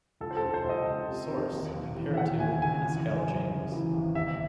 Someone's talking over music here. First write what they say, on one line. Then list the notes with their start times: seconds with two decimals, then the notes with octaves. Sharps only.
Source: Imperato, Pascal James.
0.21 C#2 A4
0.31 C5
0.37 A4
0.42 C#2
0.54 C5
0.64 C#2
0.69 D#5
0.87 C#2
1.08 C3
1.30 C3
1.52 D#2
1.74 D#2
1.97 E3
2.14 E5
2.17 D#2 F#5
2.40 D#2 G#5
2.62 C#3 G#5
2.84 E3
3.06 C#3
3.27 F#2
3.50 C#3
3.72 E3
3.94 G#1
4.15 F#1 E5